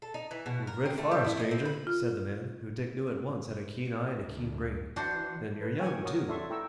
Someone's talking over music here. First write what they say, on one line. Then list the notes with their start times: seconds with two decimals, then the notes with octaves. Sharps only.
"You've rid far, stranger," said the man, who Dick knew at once had a keen eye and a keen brain, "an' you're young, too."
0.02 A4
0.14 D#4
0.31 E3
0.46 B2
0.67 A#4
0.86 C4
0.98 A3
1.11 G3
1.24 E4
1.40 D#5
1.51 C4
1.65 B4
1.87 F4
4.19 D2
4.96 E3 D4 F#4 C5
5.61 B4
5.78 A#4 C#5 G5 G#5
6.04 F#4 A#4 C#5 C#6 D#6
6.28 A4 D5 E5 C6 C#6
6.50 E4 A4 G5 A#5 C#6 E6